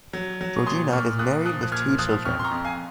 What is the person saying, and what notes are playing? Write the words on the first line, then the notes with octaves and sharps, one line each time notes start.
Georgina is married with two children.
F#3
F#3
C#6
A#2 C6 D#6
A#2 C#6 F6
A#2 D#6 F#6
F3 D#6 F#6
F#6
A#2 F6 G#6
F3 D#6 F#6
F2 C#6 F6
C6
A#5 C#6
F2
F5 G#5